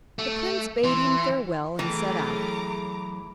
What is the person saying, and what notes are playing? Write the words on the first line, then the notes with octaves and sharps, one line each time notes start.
The prince bade him farewell and set out.
A3
E3 C6
E3 F#3 A3 G#4 G5 A#5 D6